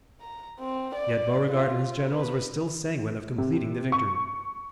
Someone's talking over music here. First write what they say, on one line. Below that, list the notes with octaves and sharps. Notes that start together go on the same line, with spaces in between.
Yet Beauregard and his generals were still sanguine of completing the victory.
A#5
C4
D5
F4
B4
C3
C#6